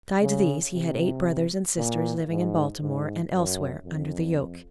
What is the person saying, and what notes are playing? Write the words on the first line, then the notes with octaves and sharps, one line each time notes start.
Besides these, he had eight brothers and sisters living in Baltimore and elsewhere, under the yoke.
C#3
C3
A#2
G#2
G#2
F#2
F2